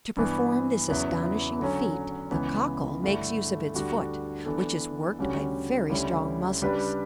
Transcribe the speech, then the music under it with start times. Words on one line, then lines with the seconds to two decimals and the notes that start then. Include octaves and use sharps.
To perform this astonishing feat the Cockle makes use of its foot, which is worked by very strong muscles.
0.17 G2 E3 B3
0.88 E2 C#3 F#3 B3 E4
1.59 D3 F#3 C#4
2.31 C#2 C#3 E3 B3
3.03 G2 D3 A3 E4
3.74 D2 D3 G3 D4 F#4
4.46 E3 B3 D4 A4
5.18 D2 C#3 G3 C#4 F#4
5.89 D2 C#3 G3 C#4 E4
6.62 C#3 G3 D4 G4 B4